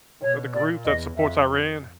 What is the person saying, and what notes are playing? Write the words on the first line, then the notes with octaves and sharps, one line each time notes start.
uh, the group that supports Iran?
B2 C#5
A#2 D5
E2 D#5
F2 E5